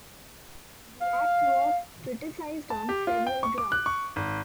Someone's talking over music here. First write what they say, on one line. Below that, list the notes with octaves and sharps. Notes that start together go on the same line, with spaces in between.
The act was criticized on several grounds.
F5
A5
G4
F4
G5
C#6
D6
F#6
C#6
G#1